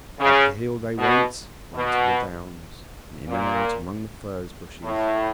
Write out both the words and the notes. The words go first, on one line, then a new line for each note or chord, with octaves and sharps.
Up the hill they went on to the downs, and in and out among the furze bushes.
C#3
B2
B2
A#2
A2